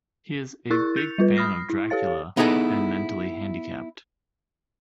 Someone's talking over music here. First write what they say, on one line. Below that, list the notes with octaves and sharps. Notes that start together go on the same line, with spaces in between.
He is a big fan of Dracula, and mentally handicapped.
E4 A#4 C#6 E6 F#6 A6
G6 A6 C#7 F7
G3 F4 B4
B5 D#6 F6 A#6 C7
E4
G4 A4 C#5 F5 A6
B3 D#4 E4 G#4 A4